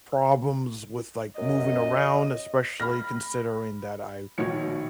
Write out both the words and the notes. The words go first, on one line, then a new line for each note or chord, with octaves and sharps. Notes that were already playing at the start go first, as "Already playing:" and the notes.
problems with, like, moving around, especially considering that I
F#2 D#5
B5 F6 A#6
A#1 B2 D#3 C#5 C#7